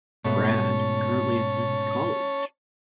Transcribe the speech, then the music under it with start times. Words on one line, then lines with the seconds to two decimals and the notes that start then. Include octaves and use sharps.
Brad currently attends college.
0.25 G#2 B2 A3 C#4 C#5 A5